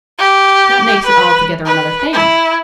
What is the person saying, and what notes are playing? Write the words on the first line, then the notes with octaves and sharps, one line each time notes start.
That makes it altogether another thing.
G4
B4
B4
E4